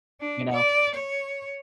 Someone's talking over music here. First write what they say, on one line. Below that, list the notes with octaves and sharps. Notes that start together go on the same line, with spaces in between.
You know,
D4
D5
C#5